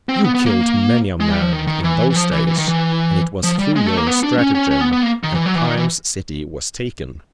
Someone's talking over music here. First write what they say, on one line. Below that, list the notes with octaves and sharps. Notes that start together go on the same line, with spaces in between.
You killed many a man in those days, and it was through your stratagem that Priam's city was taken.
C4
B3
B3
A#3
G#3
G3
F3
D#3
D#3
E3
E3
F3
E3
E3
D#3
E3
F3
G3
G#3
A3
A#3
B3
D4
C#4
C#4
C#4
B3
B3
A#3
D#3
E3
F#3
E3
D#3
E3